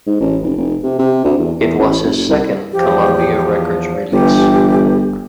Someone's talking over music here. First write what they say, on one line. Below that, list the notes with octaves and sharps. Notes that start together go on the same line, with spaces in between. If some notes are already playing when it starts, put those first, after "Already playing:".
It was his second Columbia Records release.
G#2
A1
F1
F1
C3
C3
D2
E2
E2
A1
F#1
C2
E2 F3 G4
G1 E3 G4